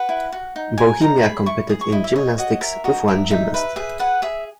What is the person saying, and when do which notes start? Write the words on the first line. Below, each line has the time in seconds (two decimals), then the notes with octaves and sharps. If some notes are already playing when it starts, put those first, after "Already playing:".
Bohemia competed in gymnastics, with one gymnast.
Already playing: B4 F#5
0.09 E4
0.32 F#4
0.56 D#4
0.78 A#4 G#5
1.01 D#4 A#5
1.23 G#4 B5
1.46 E4 C#6
1.69 G#4 D#6
1.81 C#6
1.92 E4 D#5
2.04 E5
2.16 C#5 D#5
2.38 F#4 D#5
2.61 A#4 E5
2.84 F#4 D#5
3.08 A#4 E5
3.31 D#4 E5
3.54 B4 E5
3.76 G#4 E5
3.99 B4 F#5
4.22 G#4 E5